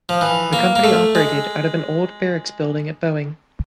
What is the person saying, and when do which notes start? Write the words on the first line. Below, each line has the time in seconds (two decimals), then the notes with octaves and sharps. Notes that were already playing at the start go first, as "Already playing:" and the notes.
The company operated out of an old barracks building at Boeing.
0.09 F3
0.21 E3
0.53 A#3
0.76 A#3
0.84 A3
1.15 G#3